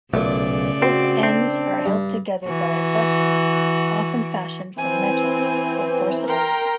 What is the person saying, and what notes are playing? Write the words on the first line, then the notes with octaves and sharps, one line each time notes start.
Both ends are held together by a button, often fashioned from metal or porcelain.
B1 A#2 C#3 A3 D5
C4 F#4
C4 D4
G2
E3 F#4
E3 C4 G#5
A#4 G5 A#5 C6